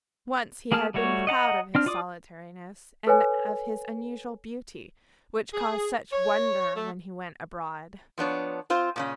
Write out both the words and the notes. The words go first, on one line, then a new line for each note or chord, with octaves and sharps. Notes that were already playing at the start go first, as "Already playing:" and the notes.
Once he had been proud of his solitariness and of his unusual beauty, which caused such wonder when he went abroad.
A#3 G#4 A#4 A5 F6
G3 A3 F#4 C#5
D#5 F#5 A5 A#5
C4 D4 F6
F4 D5 D6 D#6
A4 B4 C#5 G#5
G#4
C#5
A3
F3 B3 D4 C#5
C4 F4 C5
A#2 C#3 C#4